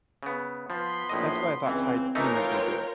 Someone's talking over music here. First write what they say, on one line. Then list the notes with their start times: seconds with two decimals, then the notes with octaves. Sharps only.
That's why I thought Tai Chi might be good.
0.23 C#3 B3
0.70 F3 B3 B5 C6
1.09 A#1 A2 D#5
1.66 C#2 E3 C4
2.15 E3 G#3 A3 D#4 F4 A#4 C#5
2.47 B4 G5